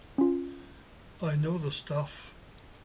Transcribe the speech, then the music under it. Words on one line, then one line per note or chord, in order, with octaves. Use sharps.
I know the stuff.
C#4 F4